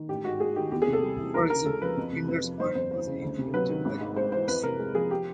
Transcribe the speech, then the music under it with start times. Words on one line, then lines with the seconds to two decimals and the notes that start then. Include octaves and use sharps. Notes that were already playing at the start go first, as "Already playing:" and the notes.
For example, Pinder's Point was inhabited by the Pinders.
Already playing: D#3
0.08 A1 G4
0.24 G#2 F#4
0.40 G#3 G#4
0.56 D#3 G4
0.71 E2 G4
0.82 G#4
0.88 C3
0.93 A4
1.03 G3
1.18 E3
1.34 D#2 A#4
1.50 C#3 A#4
1.66 G#3 A4
1.82 F3 B4
1.97 F2
2.12 C3
2.28 F2 B4
2.44 F3
2.60 G1 C5
2.75 F2 C5
2.91 E3 C5
3.07 C#3
3.22 D2
3.38 C3
3.54 F#3 B4
3.70 D#3
3.85 G#1
4.01 G#2
4.16 G#3 C5
4.32 E3 C5
4.47 F2 B4
4.63 C3 A#4
4.79 G#3
4.95 F3 G#4
5.11 G4